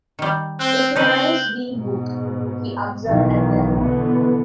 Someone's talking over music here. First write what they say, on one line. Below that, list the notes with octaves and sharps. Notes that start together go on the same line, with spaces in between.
"It's a nice wee book," he observed at length.
D#3 G3
C4 F#6 G7
C#3 C4 D#4 B4 G6 F#7 G7
G#2 B2
B1 D#3 E3
B2 D3 E3 B3